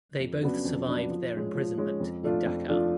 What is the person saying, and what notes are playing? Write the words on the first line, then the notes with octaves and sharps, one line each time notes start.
They both survived their imprisonment in Dachau.
F2
C#3 F#3 B3 D4
F2
C#3 F#3 B3 D4
F3
G#3 C#4
F3
G#3 C#4
F2
F3 A3 D4 F4
F2
F3 A3 D4 F4